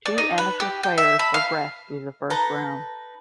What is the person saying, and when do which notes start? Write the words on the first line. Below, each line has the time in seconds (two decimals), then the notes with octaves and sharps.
Two amateur players progressed through the first round.
0.06 D5
0.18 D#4
0.38 B4
0.60 G4
0.83 G5
0.98 E5
1.19 B5
1.34 F5
2.30 D#4 A4 B4 A#5